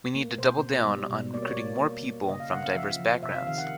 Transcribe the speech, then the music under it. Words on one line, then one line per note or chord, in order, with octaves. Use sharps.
We need to double-down on recruiting more people from diverse backgrounds.
A#3
B2 C5
B2
G3
B2
A#3 D5
C#5
A#3 D5
A#3
A#3
C#3 D#5
F5
C#3 F#5
F5
F3 E5
F3
C3 E5
F5
D#3 F5
F#5